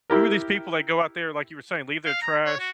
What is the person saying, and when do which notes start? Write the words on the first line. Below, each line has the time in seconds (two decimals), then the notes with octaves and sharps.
who are these people that go out there, like you were saying, leave their trash?
0.10 E4 G4 A#4
2.06 F5
2.22 A#5
2.45 C#5
2.60 F#4